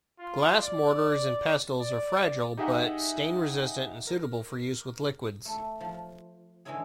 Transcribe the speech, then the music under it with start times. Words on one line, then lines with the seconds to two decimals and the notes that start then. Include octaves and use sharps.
Glass mortars and pestles are fragile, but stain-resistant and suitable for use with liquids.
0.19 F4
0.63 D5
1.80 D5
2.57 D#4 G4 G#4 E5 F#5 A#5
4.07 A#4
5.45 A3
5.80 F3
6.65 D3 E3 G#3 C#4 E4 G#4